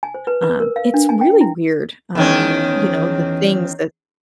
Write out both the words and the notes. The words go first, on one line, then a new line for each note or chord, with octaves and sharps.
Um, it's really weird, uh, you know, the things that
G#5
C5
B4
B4
A#4
F5
D4
G#5
G5
E4
E2 D#3 C#4